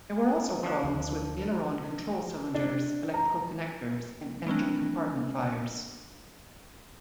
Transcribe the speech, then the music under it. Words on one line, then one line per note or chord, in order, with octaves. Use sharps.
There were also problems with aileron control cylinders, electrical connectors, and engine compartment fires.
F3 D4
D2
D4
A#5
G3 A3 C4 D4